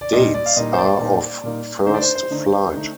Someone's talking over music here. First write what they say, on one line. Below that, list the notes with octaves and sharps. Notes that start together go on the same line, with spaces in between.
Dates are of first flight.
D5
A#2 G3 A#3 D#4 D#5
D5
F5
A#2 G3 A#3 D#4 D#5
C5
D5
A#2 G3 A#3 D#4
A#2 G3 A#3 D#4
D3 A3 D#4 C5
D5
C5
C5
D3 A3 D#4
D3 A3 D#4